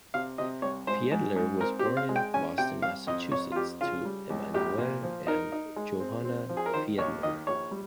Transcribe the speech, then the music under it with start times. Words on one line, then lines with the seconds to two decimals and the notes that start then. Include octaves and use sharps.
Fiedler was born in Boston, Massachusetts to Emanuel and Johanna Fiedler.
0.14 C3 F5
0.38 C3 D#5
0.62 C2 C#5
0.87 G#2 C5
1.11 G#2
1.36 G#2
1.61 C4 A#4
1.79 G4
1.85 C4
1.97 F5
2.09 G#3
2.16 G5
2.34 C#4 G#5
2.58 C3 G5
2.82 C2 F5
3.07 F2 D#5
3.31 F2 C#5
3.52 F4
3.56 F2 G4
3.81 C#3 F4
4.05 G3
4.30 C#2
4.54 A#1 G4
4.78 A#2
5.03 F3
5.27 D#4 A#4
5.52 D#4
5.76 G#3
6.00 C4
6.25 C4
6.49 F3
6.57 G#4
6.66 A#4
6.74 D#3 C5
6.98 D#2 C#5
7.23 D#3 D#5
7.47 A#1 C#5
7.71 G3